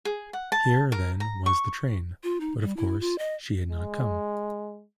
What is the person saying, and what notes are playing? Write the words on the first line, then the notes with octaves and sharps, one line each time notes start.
Here, then, was the train, but of course she had not come.
G#4
F#5
A5
A#4
A#5
C#6
F4
D#4
G3
E4
F4
D#5
G#3